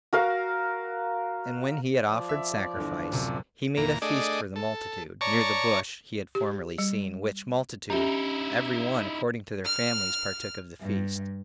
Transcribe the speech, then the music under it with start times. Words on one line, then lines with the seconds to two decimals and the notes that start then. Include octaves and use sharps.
And when he had offered sacrifice, he made a feast for the multitude, near the Bush he had formerly seen; which multitude, every one according to their families, partook of the feast.
0.13 F#4 A#4 F5
2.07 F3 D5
2.29 E5
2.76 G1 D3 E3
3.11 D1 F#2 C3
3.77 E2 A#2 A#5
4.02 A3 D4 G#4 D5 D#5
4.56 A4
5.21 C#5 D5 A5 A#5 C#6
6.35 G4
6.78 G3
7.90 C#4 D#4 E4 G4 E5 A#5
9.65 F6
10.80 G2